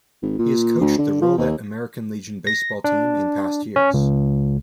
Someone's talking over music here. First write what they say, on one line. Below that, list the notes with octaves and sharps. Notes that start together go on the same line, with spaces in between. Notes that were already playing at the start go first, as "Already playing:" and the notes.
He has coached the Rolette American Legion baseball team in past years.
G#1
A#2
D2
D3
F3
D#2
A#6
D4
C#4
C#2